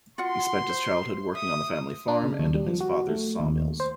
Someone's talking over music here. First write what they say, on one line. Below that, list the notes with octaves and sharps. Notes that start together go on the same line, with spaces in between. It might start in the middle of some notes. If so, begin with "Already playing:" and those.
He spent his childhood working on the family farm and in his father's sawmills.
F4 F#4 F#5 C6
C5
E5 D#6
D4
C#3
D#2
G3
F3
F#4
A3
D#2
C5